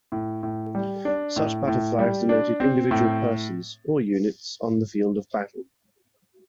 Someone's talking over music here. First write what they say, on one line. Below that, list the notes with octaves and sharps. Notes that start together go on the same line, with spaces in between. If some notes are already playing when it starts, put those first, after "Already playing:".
Such battle flags denoted individual persons, or units, on the field of battle.
A2
A2
G3
D4
A2
A2
G3
D4
C4
A2